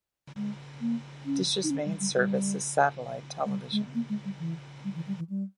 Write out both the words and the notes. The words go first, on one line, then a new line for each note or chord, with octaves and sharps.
Dish's main service is satellite television.
G#3
A#3
C#4
D#4
C#4
G3
G3
G3
G#3
G3
G#3
A#3
G#3
G3
E3
G3
E3
G3
E3
G3